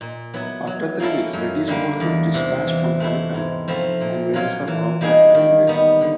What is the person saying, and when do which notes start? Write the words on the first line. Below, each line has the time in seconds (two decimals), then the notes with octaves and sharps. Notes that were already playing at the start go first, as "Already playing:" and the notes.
After three weeks, British forces dispatched from Halifax and Windsor routed the invaders.
0.01 A#2
0.34 F#3 B3 E4
0.67 F#3
1.00 A#3 C#4 E4 A4
1.33 F#2
1.68 D3 G3 A#3
2.00 E2
2.34 C3 E3
2.67 E3
3.00 A3 C4 E4
3.34 G#2
3.68 F3 A3 C4 E4
4.01 A#2
4.34 F#3 A#3 C#4 F4
4.67 E3
5.01 G3 A#3 D#4 G#4
5.35 D#3
5.67 G3 B3 D#4
6.01 D3